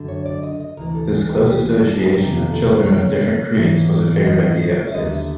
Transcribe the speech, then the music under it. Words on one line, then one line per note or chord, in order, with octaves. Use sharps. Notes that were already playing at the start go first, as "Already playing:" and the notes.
This close association of children of different creeds was a favorite idea of his.
Already playing: F#2 D3
C#5
D5
D#5
D#5
D2 C3 E3 A#4
A4
G#4
G4
G4
G#4
D5
A4
G#4
F2 C3 D#3 G4
F4
A4
C5
C#5
G#2 E3
D#5
D#5
D#5
D5
C#5
E5
D#2 D3 D#5
E5